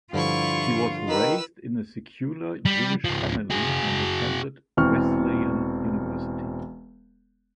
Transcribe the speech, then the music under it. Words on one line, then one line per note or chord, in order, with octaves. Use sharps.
He was raised in a secular Jewish family, and attended Wesleyan University.
G2 D3 F3 E4 F4 C#6
D#3 B4 E6
G3
C#2 F3
F#4 G#4
E1 E3 C4 C#6 F6